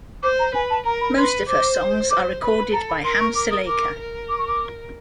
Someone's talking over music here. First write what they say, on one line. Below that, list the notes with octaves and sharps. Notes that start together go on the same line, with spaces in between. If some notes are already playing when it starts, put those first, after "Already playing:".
Most of her songs are recorded by Hamsalekha.
C5 D6
A#5
B4 G#5
A5
A#4 A#5
B5
B4 C6
C5 D6
C5 D6
B4 B5
B5
A4 A#5
B5
A#4 C6
C#6
A#4 D6
D#6
A#4 D6
A#4
D6
C#6
D6